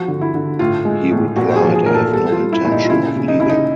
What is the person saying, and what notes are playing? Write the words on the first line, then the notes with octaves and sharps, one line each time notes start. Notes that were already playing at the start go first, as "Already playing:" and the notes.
He replied, I have no intention of leaving.
Already playing: F3 F#4
D3
E4
D3
A2 F4
G#3
A2
A#2 F#4
G#4
F3
G#4
A#2 A#4
A4
G3 A4
F4
G3
E4
A#2 E4
D#4
F4
C#3 E4
C#3
D#4
C#3 E4
D#4